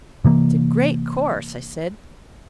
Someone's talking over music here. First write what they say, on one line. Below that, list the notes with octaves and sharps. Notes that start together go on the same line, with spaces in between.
"It's a great course," I said.
C3 E3 A#3